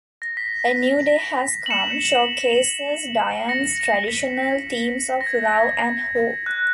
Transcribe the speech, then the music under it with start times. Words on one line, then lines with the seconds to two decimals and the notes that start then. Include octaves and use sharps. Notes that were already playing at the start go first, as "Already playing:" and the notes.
"A New Day Has Come" showcases Dion's traditional themes of love and hope.
0.22 A#6
0.37 B6
1.66 F#7
1.70 C#7 E7
3.48 A#6 C#7
4.04 A#6
4.08 B6
5.21 A#6
5.27 G#6
6.46 F#6